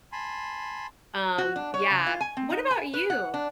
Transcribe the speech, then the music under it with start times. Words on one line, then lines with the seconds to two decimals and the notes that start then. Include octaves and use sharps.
Um, yeah. What about you?
0.12 G#5 A5 B5 C6
1.38 F#4
1.56 D4
1.74 C#5
1.90 C#3
2.07 F4
2.21 G#5
2.37 C4
2.50 D#4
2.71 G#5
2.94 B4
3.10 F#5
3.34 D4